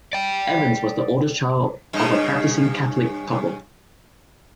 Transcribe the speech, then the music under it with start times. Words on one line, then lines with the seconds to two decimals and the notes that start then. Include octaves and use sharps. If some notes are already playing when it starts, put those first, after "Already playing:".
Evans was the oldest child of a practicing Catholic couple.
0.13 D5 G5
1.93 G2 C#3 D#5